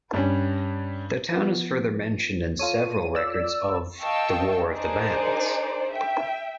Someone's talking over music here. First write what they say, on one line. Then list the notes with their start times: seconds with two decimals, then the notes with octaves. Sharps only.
The town is further mentioned in several records of the War of the Bands.
0.13 G2 G3 C#4
1.32 F3 B3
2.59 F4 A4 C#5 D#7
3.15 D5 E6
4.01 D#5 F5 G5 A5 C#6 E6
4.71 D4 D#4 G#4 A#4 C5 D5
5.91 E5 G5